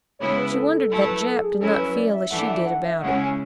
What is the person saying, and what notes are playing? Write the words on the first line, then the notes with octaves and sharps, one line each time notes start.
She wondered that Jap did not feel as she did about it.
C#3 G#3 B3 E4 C#5
B4
A4
A4
F#3 A3 E4 A4
B4
A4
G#4
F#3 C#4 E4 A4
B4
D5
E5
E3 A3 D4 F#5
F#5
E5
F#5
E5
C#3 G#3 C#4 E4 F#5
G#5